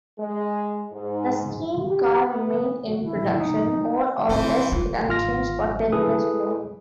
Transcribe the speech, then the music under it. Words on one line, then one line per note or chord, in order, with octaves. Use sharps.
The steam car remained in production more or less unchanged for ten years more.
G#3
G#2
G4
B3
F#4
E4
D#4
E3 C4 C5
F4
G#1 F4 F6 A#6
E4 G#4 A4 B4 D#6